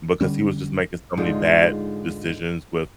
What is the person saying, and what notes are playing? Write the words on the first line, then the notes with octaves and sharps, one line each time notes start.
because he was just making so many bad decisions with
D3 E3 G3 C#4
G#2 D3 G#3 D#4 F4